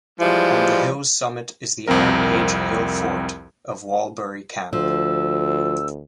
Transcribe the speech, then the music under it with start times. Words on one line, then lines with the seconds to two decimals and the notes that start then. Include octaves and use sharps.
On the hill's summit is the Iron Age hill fort of Walbury Camp.
0.20 E3 F3 G3 G#3
1.88 C2 F2 C4 A#4
4.73 D2 F3 E6